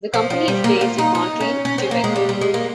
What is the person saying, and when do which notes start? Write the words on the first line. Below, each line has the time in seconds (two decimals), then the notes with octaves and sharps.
The company is based in Montreal, Quebec.
0.13 F3
0.30 F3
0.48 G3
0.64 A#3
0.81 F4
0.98 D#4
1.15 D#4
1.40 C#4
1.65 C#4
1.78 C4
1.91 A#3
2.04 G#3
2.16 G3
2.29 G3
2.41 G#3
2.54 A#3